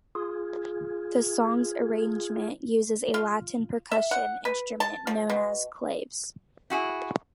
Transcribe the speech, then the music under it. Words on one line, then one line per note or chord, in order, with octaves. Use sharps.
The song's arrangement uses a Latin percussion instrument known as claves.
F4 G#4
F4
E5
F#5
B4
A5
F3
B2
E4 F#4 G#4